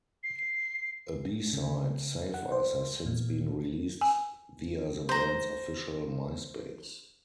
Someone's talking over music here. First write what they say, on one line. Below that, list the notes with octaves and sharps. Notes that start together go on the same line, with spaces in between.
A B-side, "Save Us", has since been released via the band's official Myspace.
C7
C#3
F#5
C5
A#2
G#5
C5 A#5